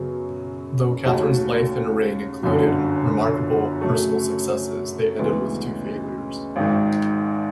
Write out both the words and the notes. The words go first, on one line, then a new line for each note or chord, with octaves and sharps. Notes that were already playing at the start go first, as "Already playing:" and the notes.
Though Catherine's life and reign included remarkable personal successes, they ended with two failures.
Already playing: F#2 C#3 F#3 B3
D#2 C#3 F#3 A3
G1 F#2 D3
F#2 C#3 F#3 A3
D2 C#3 E3 G#3 B3
G#1 G#2 D#3